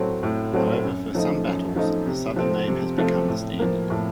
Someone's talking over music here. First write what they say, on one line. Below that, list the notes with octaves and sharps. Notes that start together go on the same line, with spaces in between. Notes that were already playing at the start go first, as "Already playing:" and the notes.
However, for some battles, the Southern name has become the standard.
Already playing: A2 F#3 A3 C4
A2
F#3 A3 C4
F#2
F3 A3 D#4
F#2
F3 A3 D#4
C3
F3 A3 C4
C3
F3 A3 C4
A2
F3 A#3
A2